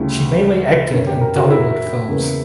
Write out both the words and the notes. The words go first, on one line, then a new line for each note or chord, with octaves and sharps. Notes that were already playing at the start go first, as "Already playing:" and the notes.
She mainly acted in Dhallywood films.
Already playing: D2 C#3 G3 E4
F#2 D3 A#3 C#4
G4
A#4
F#4
E4
E2 C#3 E3 A#3